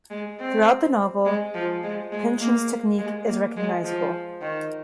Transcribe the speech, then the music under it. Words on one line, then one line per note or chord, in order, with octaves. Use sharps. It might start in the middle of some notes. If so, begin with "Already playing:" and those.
Throughout the novel, Pynchon's technique is recognizable.
G#3
C4
G#3
F3
G#3
G#3
A#3
G#3
A#3
G#3
F3
D#3